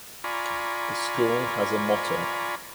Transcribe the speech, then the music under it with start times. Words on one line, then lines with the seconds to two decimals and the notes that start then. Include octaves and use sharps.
The school has a motto.
0.24 F4 D5 G#5 A#5 B5 C#6